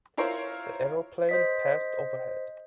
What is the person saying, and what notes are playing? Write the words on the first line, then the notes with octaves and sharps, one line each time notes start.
The aeroplane passed overhead.
E4 F4 A#4 C5 C#5
C5 D#5 B6